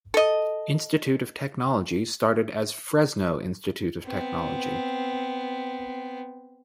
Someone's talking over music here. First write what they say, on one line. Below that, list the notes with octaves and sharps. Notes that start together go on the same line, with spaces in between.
Institute of Technology started as Fresno Institute of Technology.
A4 D#5
B3 C4